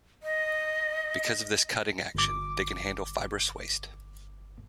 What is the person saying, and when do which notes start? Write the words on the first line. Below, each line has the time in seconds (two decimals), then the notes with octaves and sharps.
Because of this cutting action, they can handle fibrous waste.
0.23 D#5
2.15 G1 D6